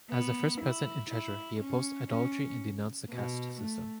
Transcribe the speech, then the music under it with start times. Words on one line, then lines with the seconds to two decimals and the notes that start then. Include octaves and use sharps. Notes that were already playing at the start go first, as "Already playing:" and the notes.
As the first president and treasurer, he opposed idolatry and denounced the caste system.
0.10 B3
0.61 E4
1.11 E4
1.61 C#4
2.09 C#4
3.10 B2
3.60 A3